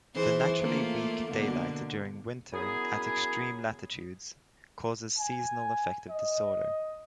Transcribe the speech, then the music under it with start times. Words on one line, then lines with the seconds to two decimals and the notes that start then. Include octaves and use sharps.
The naturally weak daylight during winter at extreme latitudes causes Seasonal affective disorder.
0.15 E3 G#4 C5
0.62 A3 A#3 F4
1.30 B2 D3 A#3
2.53 F#2 B3 E4 G#4
5.18 G#5
6.10 D#5